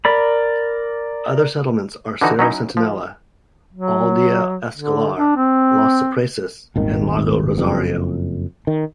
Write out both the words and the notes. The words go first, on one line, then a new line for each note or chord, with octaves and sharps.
Other settlements are Cerro Centinela, Aldea Escolar, Los Cipreses and Lago Rosario.
A#4 D5 B5
D3 E3 D#4 F#4
F#3 C#4 D#4 E4
F3
F#3
D3
D4
C4
D#1 G#1 D#3
F#1 F2
D#3